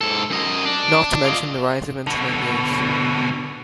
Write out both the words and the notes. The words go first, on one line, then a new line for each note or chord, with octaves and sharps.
Not to mention the rise of Internet news.
G#2 A4
F#2 D#5
D4
F4 D#5
B2 D3